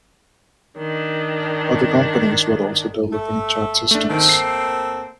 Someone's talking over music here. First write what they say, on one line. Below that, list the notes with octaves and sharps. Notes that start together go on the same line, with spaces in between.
Other companies were also developing chat systems.
D#3 D4
A3
A3 D4
D#3 A3 A#3 C4
C7